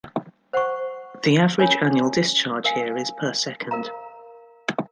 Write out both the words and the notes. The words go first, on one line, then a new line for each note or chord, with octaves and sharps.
The average annual discharge here is per second.
C5 F#5 C#6
C#4 F4 A#4 C#5 G#5
A#4 F5 G#5
A#4 F5 A#5